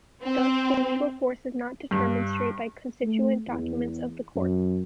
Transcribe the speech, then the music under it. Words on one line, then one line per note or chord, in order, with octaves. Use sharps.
Thus, the legal force is not determined straight by constituent documents of the Court.
C4
G2
A3
E2
F#2